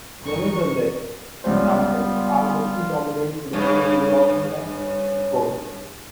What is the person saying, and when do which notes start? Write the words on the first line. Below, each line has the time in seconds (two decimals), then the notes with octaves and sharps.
Nevertheless, samples are the predominant production tool on "The Score".
0.20 G1 E3 D#4 C#6
1.44 C#2 G3 B3 F4 C5
3.53 G2 C#3